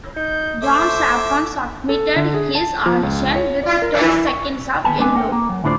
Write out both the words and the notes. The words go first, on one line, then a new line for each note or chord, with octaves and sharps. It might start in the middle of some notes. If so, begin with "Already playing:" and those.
John Safran submitted his audition with ten seconds of yellow.
D#4 G6
A3 C5 E5 D6
A4
D3
G#4
A5
F3
C#2
C#5
D5
A#4
E4
C#6
D#2 E3 B3 G#5 A5
G#3 C4 D4 B4 G#5
A#4 F#5 G5
A#3
F#3
D2 A2 D4 F4 C5 D5